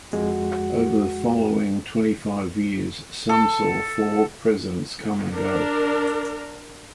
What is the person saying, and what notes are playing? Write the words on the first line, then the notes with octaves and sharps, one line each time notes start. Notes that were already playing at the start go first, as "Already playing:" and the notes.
Over the following twenty-five years, Sum saw four Presidents come and go.
F2 G#3 F#4
A4
D4 A#4